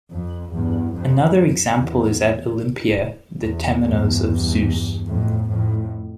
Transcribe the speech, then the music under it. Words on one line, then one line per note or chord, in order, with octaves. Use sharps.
Another example is at Olympia, the temenos of Zeus.
F2
E2 G2
F2
E2
E2
E2 G2
F2 A2
F2 A2